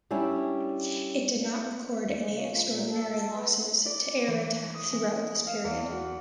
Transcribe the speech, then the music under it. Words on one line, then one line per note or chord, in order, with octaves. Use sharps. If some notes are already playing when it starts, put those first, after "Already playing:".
It did not record any extraordinary losses to air attack throughout this period.
G3 C#4 D4 E4
E2
G#3
C#3
F3
A#2
A4
A4
B3
D5
E3
D#6
G#3
F5
E2
F#4